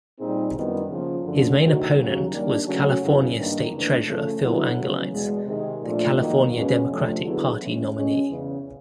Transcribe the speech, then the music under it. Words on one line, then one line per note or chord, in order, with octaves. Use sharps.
His main opponent was California State Treasurer Phil Angelides, the California Democratic Party nominee.
A#2 G3 C4 D#4 G#4
F#2 D#3 G3 B3 E4
C#3 F3 A#3
F#2 D3 F3 A3 C#4
D2 C3 D#3 F#3
D#2 C#3 F#3
D#3 G3 A#3 D4
C#3 F#3 A3 C#4 F#4
F#2 C#3 F#3 B3 E4
G2 D#3 G3 A#3 D4
F2 C3 E3 A3 D4
C#3 F3 A3
D3 F#3 B3 E4
C#3 F#3 B3
E2 B2 G#3
C3 D#3 G#3
A#2 F3 A3 D4 F4
G#2 D#3 F#3 A#3
E2 B2 G#3 C#4
F2 C3 F3 A3 D4
D3 F#3 B3 E4 G#4
E3 G#3 C#4
B2 G#3 C#4
E2 C#3 E3